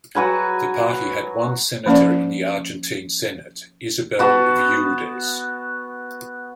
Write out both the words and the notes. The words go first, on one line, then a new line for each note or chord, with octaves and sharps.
The party had one senator in the Argentine Senate, Isabel Viudes.
F#3 F#4 B4 G#5
F3 A#3 C#4 D5
B3 F#4 A5